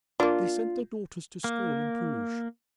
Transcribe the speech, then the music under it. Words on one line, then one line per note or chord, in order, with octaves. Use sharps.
They sent their daughters to school in Bruges.
A#3 D4 F4
A#3